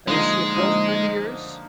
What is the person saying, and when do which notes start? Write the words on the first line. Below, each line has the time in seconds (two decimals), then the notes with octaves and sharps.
Uh, is she a close friend of yours?
0.07 D3 F3 G#3 A#3 D#4
0.56 D3 F3 A#3 D#4